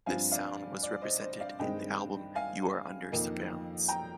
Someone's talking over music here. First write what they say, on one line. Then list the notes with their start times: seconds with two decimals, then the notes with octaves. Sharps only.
This sound was represented in the album "You Are Under Surveillance".
0.06 G2 F3 C4 F5 G#5
0.32 D5 F5
0.83 D5
1.01 C5 D#5
1.21 C5 D#5
1.40 D5 F5
1.59 G2 D#3 G#3 C4 D#5 G5
2.35 F5 G#5
3.12 F2 D#3 A#3 D#4
3.88 G5 A#5